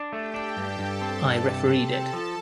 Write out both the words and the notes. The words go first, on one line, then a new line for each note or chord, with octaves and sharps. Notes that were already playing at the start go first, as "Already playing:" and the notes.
I refereed it.
Already playing: D4
A3 G4 G5
D4
G2 A4 A5
G2
C4
G2
C3 A4 A5
C3
C4 A4 A5
F3